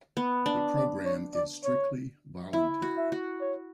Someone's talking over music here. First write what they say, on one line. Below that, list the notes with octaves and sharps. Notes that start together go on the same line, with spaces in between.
The program is strictly voluntary.
B3
D4
D5
C#5
D5
C#5
E4 E5
F#4
E5
F#4
C#5